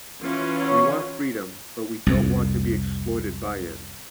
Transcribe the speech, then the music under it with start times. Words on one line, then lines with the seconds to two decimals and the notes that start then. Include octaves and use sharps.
We want freedom, but we don't want to be exploited by it.
0.19 E3 C#4 F4
0.61 F#3 C#5
2.06 C2 F2